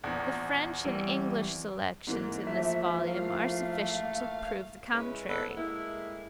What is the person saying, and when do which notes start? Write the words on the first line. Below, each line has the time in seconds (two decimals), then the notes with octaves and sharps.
The French and English selections in this volume are sufficient to prove the contrary.
0.04 A#1 E2
0.85 E3 G3 C4
2.07 G#2 E3 A#3
2.47 F3 A3 E5
3.07 A3 F5
4.93 C#3 G#3 C#4 E4 B4
5.29 B3 E4 A4
5.56 A2 G#3 A#3 E4